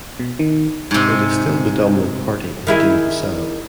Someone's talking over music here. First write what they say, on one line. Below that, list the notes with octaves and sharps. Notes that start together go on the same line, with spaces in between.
It is still the dominant party in Guinea-Bissau.
B2
D#3
G#2 C3
D#3 E4 G#4